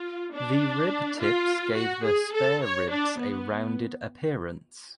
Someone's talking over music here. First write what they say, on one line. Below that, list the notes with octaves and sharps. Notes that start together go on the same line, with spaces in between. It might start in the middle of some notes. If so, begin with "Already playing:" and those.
The rib tips give the spare ribs a rounded appearance.
Already playing: F4
D4
F4
F#4
G#4
A4
C#5
D4
B3